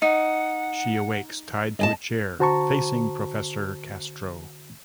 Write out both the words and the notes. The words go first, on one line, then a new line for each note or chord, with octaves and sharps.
She awakes tied to a chair, facing Professor Castro.
D#4 F#5
D#5 G#5 A5
D3 F#4 C5 A5 A#5 C#6